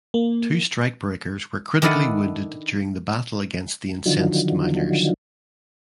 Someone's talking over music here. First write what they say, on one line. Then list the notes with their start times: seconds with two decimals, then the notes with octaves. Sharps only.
Two strikebreakers were critically wounded during the battle against the incensed miners.
0.14 A#3
1.82 D#3 D4 E4 A4 F#5
4.06 D3 D#3 F3 F#3